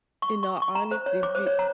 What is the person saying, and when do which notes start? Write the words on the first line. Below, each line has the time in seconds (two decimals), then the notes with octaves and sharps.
in all honesty, be
0.22 C#6
0.43 C#6
0.62 C#6
0.75 A#5
0.91 C5
1.06 C#5
1.23 D6
1.35 C5
1.47 C#5
1.59 A#5